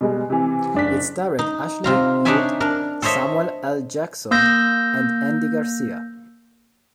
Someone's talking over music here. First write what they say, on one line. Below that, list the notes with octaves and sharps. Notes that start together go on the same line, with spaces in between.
It starred Ashley Judd, Samuel L. Jackson and Andy Garcia.
B2 G3 G#3
C3 E3
F#1 D4 B6
D#4
C3 F4 A#5
D4 D#4 C#5 D5 E5 G#5
D4 A#4
A4 C5 C#5 D#5 E5
A#3 E6 G6 A#6